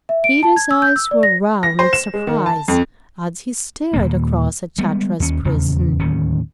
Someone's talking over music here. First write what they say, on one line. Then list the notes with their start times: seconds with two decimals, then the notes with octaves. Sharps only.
Peter's eyes were round with surprise, as he stared across at Chatterer's prison.
0.09 E5
0.24 D7
0.43 A5
0.56 G#6
0.71 E6
0.82 G6
0.96 E6
1.11 D5
1.23 A#6
1.63 A#6
1.79 C5
1.93 E7
2.14 G#3
2.27 D#3
2.46 A5
2.68 F2
3.93 D#1 G#1 A#3
4.78 G3 G#3 B3
5.20 D#2 C#4
5.45 D#1 E2 C#3
6.00 D1 D#2 D#3 C#4